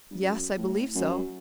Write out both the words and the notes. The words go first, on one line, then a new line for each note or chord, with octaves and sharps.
"Yes; I believe so."
G2
F#2
A2
F#2